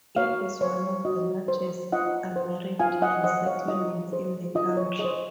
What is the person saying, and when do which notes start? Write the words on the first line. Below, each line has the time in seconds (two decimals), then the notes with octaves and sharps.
It is one of the largest Amerindian settlements in the country.
0.16 F#4 C#5 F5
0.61 C5 C#5
1.05 F#4 D#5
1.48 C5
1.92 F4 D#5 F#5
2.36 C5
2.80 F4 F5 G#5
3.02 D#5 F#5
3.24 C5 D#5 F#5
3.45 C#5 F5
3.68 F4 D#5
4.12 G#4 C5
4.55 F4 D#5
4.77 C#5
4.99 G#4 D#5
5.04 C5